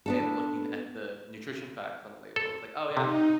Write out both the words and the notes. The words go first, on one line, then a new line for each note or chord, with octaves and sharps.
and looking at the nutrition facts on the label, it's like, "Oh, yeah,
B3 D4 A4
A4
C3 D#4